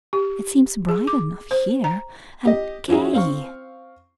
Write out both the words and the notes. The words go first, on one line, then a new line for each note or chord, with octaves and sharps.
It seems bright enough here, and gay.
G4
G#4
D6
C5
A#5
G4 D#5
F3 C#4 E4 F#4 G#4
C4 F5 C#6